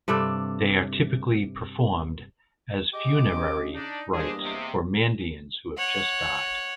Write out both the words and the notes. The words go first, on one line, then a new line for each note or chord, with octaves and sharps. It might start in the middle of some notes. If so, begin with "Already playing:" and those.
They are typically performed as funerary rites for Mandaeans who have just died.
G2 C3 D4 A4
G4 G#4 D#5 D6
C#3
D4 D#4
E2 G2 G#3 A#3 D4 G#4 C5 D#5
C3
C#5 F#5